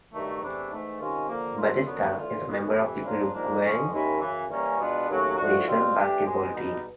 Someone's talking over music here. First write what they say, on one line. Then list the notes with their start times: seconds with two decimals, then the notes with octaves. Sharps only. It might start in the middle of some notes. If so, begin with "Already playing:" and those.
Batista is a member of the Uruguayan national basketball team.
0.13 G2 D#3 F#3 A3
0.42 E2 C3 E3 A3 D4
0.71 G#2 E3 A3
1.00 C3 D#3 G#3 C#4 F4
1.29 D3 F3 A#3
1.58 C3 F3 A3 D4 F4
1.87 F#2 D3 F#3 B3
2.17 E3 A3 D4 F4
2.46 F#2 D#3 F#3 B3
2.75 F2 C3 E3
3.04 C#3 F3 A#3 D4 F4
3.33 G#2 F3 A#3 D4
3.62 F2 D3 F3 G#3 C#4
3.91 D#2 D#3 G#3 C#4 E4
4.21 F#2 C#3 E3
4.49 E3 G3 A#3 C#4
4.79 B2 G#3 B3 D4 F4
5.08 D#2 C#3 F#3 A3
5.37 G#2 F3 A3 D4 F#4
5.66 B2 G3 C4 F4
5.96 E3 A3 D4 G4
6.24 C2 B2 G#3
6.53 E2 B2 G3 B3 D#4